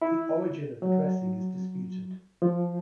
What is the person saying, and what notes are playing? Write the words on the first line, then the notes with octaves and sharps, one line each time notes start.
The origin of the dressing is disputed.
E4
F#3
F3